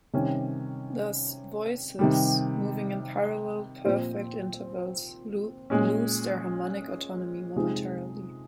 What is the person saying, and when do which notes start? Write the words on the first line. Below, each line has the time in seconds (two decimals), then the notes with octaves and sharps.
Thus voices moving in parallel perfect intervals lose their harmonic autonomy momentarily.
0.14 C3 D#3 G3 C#4
1.99 C3 D#3 G3
3.85 A#2 F3 C4
5.70 A#2 G#3 C#4
7.56 C3 F3 G#3 D#4